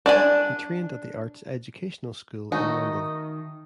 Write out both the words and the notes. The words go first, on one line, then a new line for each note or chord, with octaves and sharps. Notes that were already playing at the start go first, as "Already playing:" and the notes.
He trained at the Arts Educational School in London.
D4 D5 G#5
D#3 A3 D#4 F#4 D#5